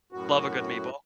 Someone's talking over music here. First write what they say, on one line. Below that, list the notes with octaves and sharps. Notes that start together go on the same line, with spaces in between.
Love a good meatball.
F#2 A2 F#4